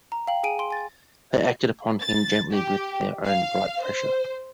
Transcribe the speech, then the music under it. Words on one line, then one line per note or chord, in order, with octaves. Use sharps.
They acted upon him gently with their own bright pressure.
A#5
F5 G5 F#7
G#4 G#5 D7 D#7
C6 D7
G#5 A6
A6
G4
F5
C5